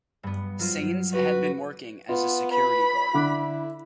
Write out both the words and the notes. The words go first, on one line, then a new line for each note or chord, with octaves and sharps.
Sanes had been working as a security guard.
G2 B3
F#3 F4 C5
F#4 B4
B3 F4
B4 B5
D3 E4 D6 F#6